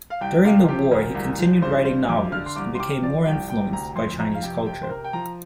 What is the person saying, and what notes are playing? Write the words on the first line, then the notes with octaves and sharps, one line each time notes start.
During the war he continued writing novels, and became more influenced by Chinese culture.
F5
C2 G5
C3 F5
A#4
F3 G4
D2 A#4
C2
F3
G2 C5
G2 C5
F2 D6
D3 F6
C6
C2 D6
C6
C3 D6
F3 D5
C2 G5
C3 G5
D2 A#5
F2 C6
F2 A#5
F5
C3 G5
C3 G5
C5
C3 A#4
G5
F3 A#5